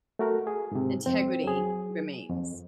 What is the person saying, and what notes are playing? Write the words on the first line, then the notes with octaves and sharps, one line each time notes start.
integrity remains.
A3 F#4 A#4
G#4
G#2 C3
F2 C4
F#3 G#4
F2